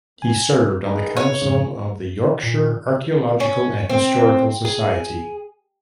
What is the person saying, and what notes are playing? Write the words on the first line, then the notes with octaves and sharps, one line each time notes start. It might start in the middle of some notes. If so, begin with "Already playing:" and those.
He served on the council of the Yorkshire Archaeological and Historical Society.
G#5
D#4 G#4 B4
C#5
F2 G#2 C#3
A#2
C#4
C4
G#4